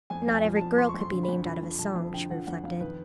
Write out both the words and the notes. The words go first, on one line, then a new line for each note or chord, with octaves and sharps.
Not every girl could be named out of a song, she reflected.
F2 G#5
F2
G#5
F3
A5
F2
F2 C6
C#6
F2
C6
D3
B5
F2
F3 B5
F2
F3 A5
F2
D3 G5
F3 F#5
F2 F#5
F2 F5
D#3 B4